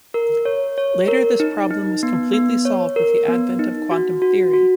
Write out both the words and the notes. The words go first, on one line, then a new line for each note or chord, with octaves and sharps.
Later this problem was completely solved with the advent of quantum theory.
A#4
C#5
C#5
A#4
D#4
D#4
B3
B3
C#5
A#4
B3
D#4
F#4
F#4
F#4